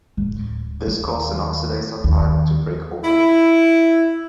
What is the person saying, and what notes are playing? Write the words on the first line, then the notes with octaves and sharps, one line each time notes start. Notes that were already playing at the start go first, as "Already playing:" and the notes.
This caused an oxidizer pipe to break open.
D1
D#2
D#2
E4